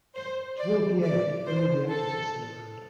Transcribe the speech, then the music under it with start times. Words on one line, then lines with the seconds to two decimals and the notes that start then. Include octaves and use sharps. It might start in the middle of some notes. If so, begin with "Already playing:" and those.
Toward the end, only the actors were still around.
0.14 C5
0.58 D5
1.02 D5
1.46 C5
1.89 A4